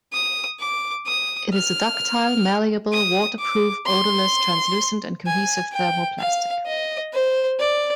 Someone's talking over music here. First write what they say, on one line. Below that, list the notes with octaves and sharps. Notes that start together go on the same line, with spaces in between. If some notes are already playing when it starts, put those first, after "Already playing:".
It is a ductile, malleable, waterproof, odorless, translucent and cohesive thermoplastic.
D#6
D6
D#6
F6
D#6
D6
C6
G#5
G5
F5
D#5
C5
D5